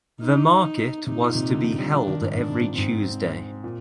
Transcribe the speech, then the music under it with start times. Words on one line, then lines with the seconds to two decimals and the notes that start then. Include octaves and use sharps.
The market was to be held every Tuesday.
0.21 D#4
1.07 C3 D#4
1.22 A#2
1.35 C3
1.50 D3
1.64 D3
1.78 G3
1.92 F3 D4
2.07 D#3
2.21 G#2
2.35 G#2 D4
2.49 C3
2.64 A#2
2.78 G#2 C4
3.64 A#2